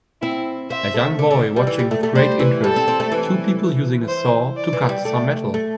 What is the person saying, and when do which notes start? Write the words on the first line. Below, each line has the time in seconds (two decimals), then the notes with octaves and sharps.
A young boy watching with great interest, two people using a saw to cut some metal.
0.22 C4 E4
0.70 C4 E5
0.94 A3
1.19 D3
1.31 D3
1.56 G3
1.67 E3
1.79 G3
1.91 A3
2.03 A3
2.15 G3 C5
2.39 E3
2.63 G3 A4
2.76 C4
2.88 C4
3.00 A3
3.12 E3
4.08 C5
4.57 D5
4.73 E3
4.89 G3
5.05 A3 D5
5.54 A3